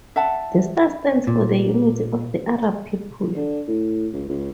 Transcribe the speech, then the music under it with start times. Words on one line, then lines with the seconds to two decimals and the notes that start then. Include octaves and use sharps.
The star stands for the unity of the Arab people.
0.16 E5 F#5 A5
1.27 A#2
3.36 D3
3.68 A2
4.13 C#2
4.29 C#2